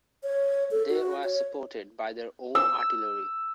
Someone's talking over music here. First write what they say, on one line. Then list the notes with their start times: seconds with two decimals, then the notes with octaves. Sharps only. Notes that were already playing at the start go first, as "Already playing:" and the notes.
They were supported by their own artillery.
0.23 C#5
0.71 A4
0.89 F#4
1.24 C#5
2.55 E6